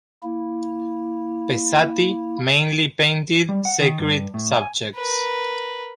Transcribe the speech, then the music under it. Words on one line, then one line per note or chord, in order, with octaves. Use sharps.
Pezzati mainly painted sacred subjects.
A#3 E4
G3
F#5
D#3
G2
A2
G#5
A#4 B4